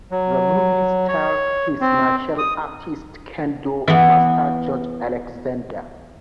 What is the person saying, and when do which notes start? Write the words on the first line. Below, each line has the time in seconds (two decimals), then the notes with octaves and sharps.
The movie starred his Martial Artist's Kendo Master George Alexander.
0.11 F#3
1.08 C#5
1.81 C4
2.38 D#6
3.88 E3 B3